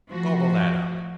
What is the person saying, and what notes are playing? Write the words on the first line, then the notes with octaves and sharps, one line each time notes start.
"Gobble that up."
F3 A3 F#4